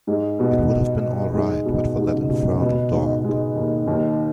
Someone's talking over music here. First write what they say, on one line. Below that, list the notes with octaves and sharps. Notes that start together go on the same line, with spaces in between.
It would have been all right but for that infernal dog.
G#2 G#3
B2 B3
G#2 G#3
B2 B3
G#2 G#3
C#3
B2
C#3
B2 B3
G#2 G#3
G#2 G#3
D#2 D#3
D#2 D#3